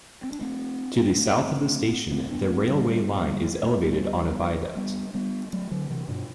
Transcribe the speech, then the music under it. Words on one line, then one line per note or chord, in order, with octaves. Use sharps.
To the south of the station, the railway line is elevated on a viaduct.
C4
D4
A3 C4
B3 D4
A3 C4
A3 C4
A3 C4
B3 D4
A3 C4
E3 G3
G3 B3
A3 C4
G3 B3
G3 B3
G3 B3
F#3 A3
D3 F#3
C3 E3
G2 B2